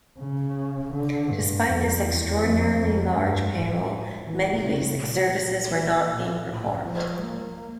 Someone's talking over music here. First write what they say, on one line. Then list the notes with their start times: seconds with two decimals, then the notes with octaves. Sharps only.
Despite this extraordinarily large payroll, many basic services were not being performed.
0.19 C#3
0.93 D3
1.30 G2
1.67 F2
2.04 E2
2.41 F2
2.77 F2
3.15 G2
3.52 A2
4.25 E3
4.62 C#3
4.99 A#2
6.09 A#2
6.47 A2
6.83 F3
7.20 A#3